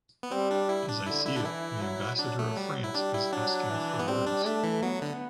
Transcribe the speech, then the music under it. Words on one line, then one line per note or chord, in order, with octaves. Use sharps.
As I see it, the ambassador of France is asking for words.
B3
G3 C4
D4
E4
D4
D3 E4
E4
D4
E3 E4
F#3
F#3 D4
A3
G3
E4
G3 D4
E4
F#3 D4
E3
B3
G3 C4
D4
A3 D4
E3
F#3 B3
D3